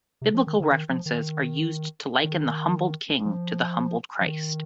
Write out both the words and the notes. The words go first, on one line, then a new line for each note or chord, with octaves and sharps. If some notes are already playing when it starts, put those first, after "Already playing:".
Biblical references are used to liken the humbled king to the humbled Christ.
C3
F3
D#3
D3
D#3
F3
D#3
D#3
F3
F3
D#3